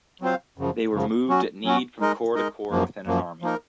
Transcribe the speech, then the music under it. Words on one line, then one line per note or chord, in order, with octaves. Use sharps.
They were moved at need from corps to corps within an army.
F#3 C4 F4 C5 F5
F#2 C#3 F3
F#2 C#3 F3
F#3 C#4 F#4
F#3 C#4 F#4
G#3 D#4 A#4 D#5
G#3 D#4 A#4 D#5
F#2 F3 A#3
F#2 F3 A#3
F3 A#3 D#4 A#4